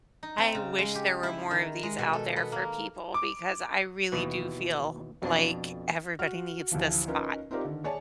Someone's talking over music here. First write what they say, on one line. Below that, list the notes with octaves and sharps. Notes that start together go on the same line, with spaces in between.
I wish there were more of these out there for people because I really do feel like everybody needs this spot.
D#4
C4
C#3
G#3
G4
E4
D#3
G#3
B2
A4
B3
A#3
D6
D#2 B2 E3
F2 B2 D4
F#4 F6
A1 D2 E3 F3
C#4 D#4 F4 A#4 B4
C4 D#4 F4 G4 A#4 D5
D3 D#3
G#4 C#5 D5 G#5 A5